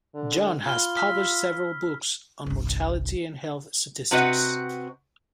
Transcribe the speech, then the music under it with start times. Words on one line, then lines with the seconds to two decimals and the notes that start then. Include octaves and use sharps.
John has published several books on mortality and health statistics.
0.15 D3
0.65 F4 B5 F6 G7
0.97 E6 F6 B6
2.46 G1 C2
4.11 C3 C4 F#4 B4 D#5 F#5